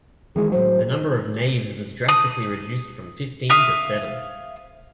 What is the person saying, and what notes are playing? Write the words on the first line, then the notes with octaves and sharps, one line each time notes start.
The number of naves was drastically reduced from fifteen to seven.
D#3 E3 G#3 G#4
A2 F#3 C5
D#6
E5 F5 D#6